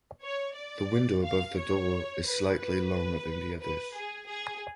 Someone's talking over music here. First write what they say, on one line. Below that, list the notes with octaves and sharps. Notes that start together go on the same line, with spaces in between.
The window above the door is slightly longer than the others.
C#5
D5
F5
C#5
B4
B4
B4
G#4
G#4